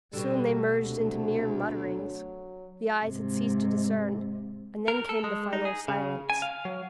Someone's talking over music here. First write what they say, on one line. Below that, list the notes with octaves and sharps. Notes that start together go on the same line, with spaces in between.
Soon they merged into mere mutterings; the eyes had ceased to discern; and then came the final silence.
B2 D3 G3
D2 C3
F#3
G#2 C3
A#4
A4
G#3
D#4
G#4
C#3
G#5
F5
F#3